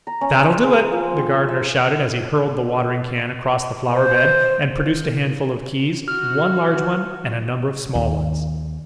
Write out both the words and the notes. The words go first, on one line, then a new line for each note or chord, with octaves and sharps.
"That'll do it!" the Gardener shouted, as he hurled the watering-can across the flower-bed, and produced a handful of keys--one large one, and a number of small ones.
A#5
C#4
C5
G#4
F3
C4
E5
C5
F#4 F6
D#2